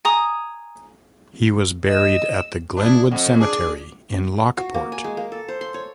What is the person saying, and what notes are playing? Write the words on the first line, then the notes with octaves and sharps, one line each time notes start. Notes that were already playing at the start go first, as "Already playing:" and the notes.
He was buried at the Glenwood Cemetery in Lockport.
G#5 A#5 D#6
D#5 E6
D4 E4 A5 D#6
F2 A4 F#5
D4 G#4 D6
F#4
A#3
G#5
G#3
A#3
A4
C5
C6
C#5